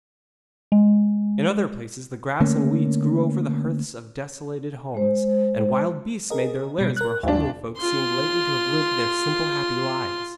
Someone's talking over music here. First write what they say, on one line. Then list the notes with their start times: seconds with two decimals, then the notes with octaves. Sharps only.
In other places the grass and weeds grew over the hearths of desolated homes, and wild beasts made their lairs where homely folk seemed lately to have lived their simple happy lives.
0.72 G#3
2.40 D3 A3 A#3 C#4
4.95 G#3 C5
6.30 G#4 A#4 D#5
6.79 B2 G3
6.97 A#4 F#6
7.23 G#1 D#2 D4
7.77 F4 C6